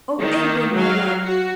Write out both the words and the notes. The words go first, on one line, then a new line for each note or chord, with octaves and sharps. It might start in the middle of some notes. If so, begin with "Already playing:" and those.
Oh, Abram, my love!
D#3 A#3
F#3 F5
F#4